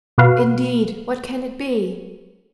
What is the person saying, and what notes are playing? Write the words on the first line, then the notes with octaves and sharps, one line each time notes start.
"Indeed! what can it be?"
B2 F#4 B4 F5